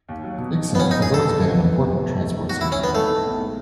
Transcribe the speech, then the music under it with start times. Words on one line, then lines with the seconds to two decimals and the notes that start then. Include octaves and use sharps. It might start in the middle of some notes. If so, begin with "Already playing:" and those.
Iksan has always been an important transport center.
0.09 D#2
0.24 F#3
0.38 B2
0.53 D#4
0.68 D#2
0.75 B3
0.80 C#4
0.84 E1
0.91 D#4
0.98 C#3 G#4
1.14 B3 A4
1.29 B3
1.43 B3
1.58 E3
1.74 E1
1.90 E3
2.04 A3
2.19 D#3
2.35 D#3
2.49 F#3 F#4
2.61 E4
2.64 F#3
2.72 C#4
2.79 G#1 B3
2.95 A3 D#4
3.10 A2
3.25 B1
3.40 G#3